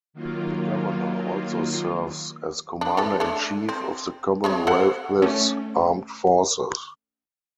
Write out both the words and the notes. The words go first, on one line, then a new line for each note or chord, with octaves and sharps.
The governor also serves as commander-in-chief of the Commonwealth's armed forces.
D#3 F#3 A#3 F4
D4
E3 A4
A3 D4
C4
G#3 C4 C#5
A4 C5 F#5
A3 C#4